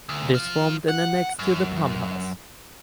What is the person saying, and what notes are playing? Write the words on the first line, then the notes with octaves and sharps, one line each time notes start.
This formed an annexe to the pump house.
D2
F3
F#5
F#2